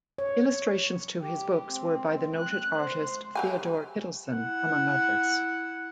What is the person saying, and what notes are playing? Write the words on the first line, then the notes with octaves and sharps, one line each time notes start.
Illustrations to his books were by the noted artist Theodor Kittelsen among others.
C#5
G4
C4
F#6
C5
F#3 G4 G#5
E4 F#5